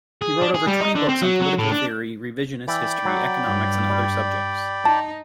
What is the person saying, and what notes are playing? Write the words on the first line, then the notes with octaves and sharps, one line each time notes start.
He wrote over twenty books on political theory, revisionist history, economics, and other subjects.
G#4
D4
G#4
G3
D#4
D3
C4
F#3
F#3
A2
D4
E3 D5 G5 B5
F#3
G2
G3
D#4 A5